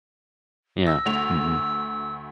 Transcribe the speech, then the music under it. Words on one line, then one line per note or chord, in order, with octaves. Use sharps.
Yeah, mhm.
E6 A#6
D2 A3 F7